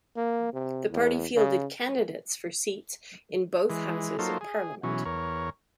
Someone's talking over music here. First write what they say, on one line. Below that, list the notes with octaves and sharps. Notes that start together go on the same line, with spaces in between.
The party fielded candidates for seats in both houses of Parliament.
A#3
C3
E2
C#3
E3 G#3
F#3 A#3 D#4 F4 A4 C5
G#4
B2 E3 F#3 C#4
E2 A#4 C#5